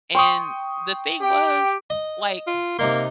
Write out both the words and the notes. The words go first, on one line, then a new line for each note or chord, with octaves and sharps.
and the thing was, like,
G5 C6 C#6 D#6
G4 G5
D#5
F4
C3 A#3 D#4 C6